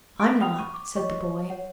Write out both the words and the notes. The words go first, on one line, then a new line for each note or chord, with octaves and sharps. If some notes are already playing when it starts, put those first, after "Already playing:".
"I'm not," said the boy.
A5 D7
F#5 G5 B5 D#6 F6 F7
C#6 D#7
D6
C#5 D#5 C#6
C#5 F#5